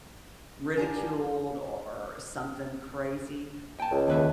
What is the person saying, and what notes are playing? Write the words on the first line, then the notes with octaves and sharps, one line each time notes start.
ridiculed or something crazy,
D4 F4 G4 A#4 D5 G#5
G5 A5
C#2
D#2 B4 E5